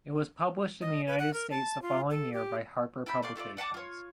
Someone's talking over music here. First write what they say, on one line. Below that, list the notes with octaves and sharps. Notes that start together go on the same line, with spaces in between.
It was published in the United States the following year by Harper Publications.
D#5
B4
F#5
A#4
A5
F4
A4
G4
E4 A5 B5 G6
A3 D5 F5 C6
A3 F4 A4 D5
D5 F#5 A5 D6
F4 C#5